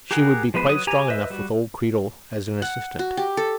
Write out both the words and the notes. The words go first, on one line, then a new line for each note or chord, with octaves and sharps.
She would be quite strong enough, with old Creedle as an assistant.
G4 G#4 A#4 F#5
F3 G#3 B3 B4 C5
F#3 B4 D#6
G4 G#5 A#5
B4 C5 D#5 E5
G3 F#4
F#5
F#4
G4
A4